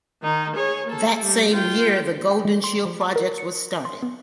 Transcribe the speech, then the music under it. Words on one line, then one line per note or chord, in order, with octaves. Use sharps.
That same year the "Golden Shield Project" was started.
D#3 D#4
G#4 C#5
A#3 A4
G3
F4 G5
G5
G#3
C6
F3
A5
A#4
C#7
C6
B3